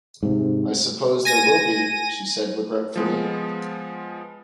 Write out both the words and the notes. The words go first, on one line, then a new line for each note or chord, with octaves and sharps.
"I suppose there will be," she said regretfully.
G#2 C3
G#5 A#6 D#7
F3 G#3 B3